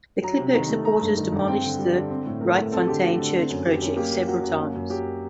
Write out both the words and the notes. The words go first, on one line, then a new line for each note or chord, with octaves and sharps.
The Klipkerk supporters demolished the Rietfontein Church project several times.
F#3 A#5
C3
D#3 A#5
A3
A3 A#5
G2
D#3
G2
C4 G5
D3
G3
D3
C4
A2
A3 A#4
A2
C4 A4
D3 G4
A3 F#4
D3
C4
F#2
F#3 G4
F#2
A#3 G4
F#2
F#3 F#4
F#2
A#3
F#2
F#3 G4